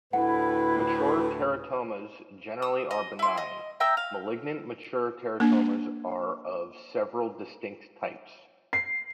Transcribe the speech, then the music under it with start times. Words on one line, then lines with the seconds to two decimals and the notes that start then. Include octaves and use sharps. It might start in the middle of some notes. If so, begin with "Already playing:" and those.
Mature teratomas generally are benign; malignant mature teratomas are of several distinct types.
0.13 D2 A2 E4 B4 F#5
2.62 D#6 E6
2.91 D#5
3.19 E4 C6
3.37 D#5
3.80 E5 G5 A#5 E6
3.97 F5
5.40 A#3 D4
8.73 C7